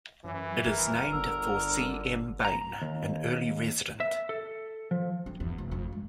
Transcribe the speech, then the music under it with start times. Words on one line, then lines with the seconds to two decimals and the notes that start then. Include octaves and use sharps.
It is named for C. M. Bain, an early resident.
0.24 F#2 E3
0.66 D#1 A#4
1.12 G1 D3 E6
2.45 A#5
2.82 D#2
4.00 E5
4.29 A4
4.91 F3
5.26 C4
5.40 E2
5.58 F1
5.72 F2
5.93 G#3